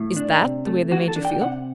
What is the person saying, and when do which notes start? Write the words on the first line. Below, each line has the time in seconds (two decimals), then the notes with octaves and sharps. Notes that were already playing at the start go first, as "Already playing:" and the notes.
"Is THAT the way they made you feel?"
Already playing: A2
0.16 D4
0.41 C3
0.66 A3
0.91 E3 F#4
1.08 A4
1.16 D4
1.25 G5
1.41 C3 F#5